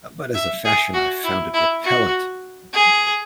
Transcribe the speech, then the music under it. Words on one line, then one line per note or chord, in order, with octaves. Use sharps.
But as a fashion I found it repellent.
E5
G#4
F#4
E4
E4
F#4
G#4